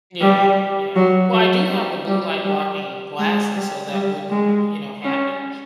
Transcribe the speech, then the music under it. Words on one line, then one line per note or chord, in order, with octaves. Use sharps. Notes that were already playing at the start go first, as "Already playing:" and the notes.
Yeah, yeah. Well, I do have the blue-light-blocking glasses, so that wouldn't, you know, happen.
G3
F#3
F#3
G3
G3
G3
G#3
G3
G3
G#3
C#4